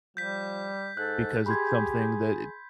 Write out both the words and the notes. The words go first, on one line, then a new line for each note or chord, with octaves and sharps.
because it's something that
F3 G3 G6 B6
G#2 A4 F#6
G4 G#4 B5 C6 G#6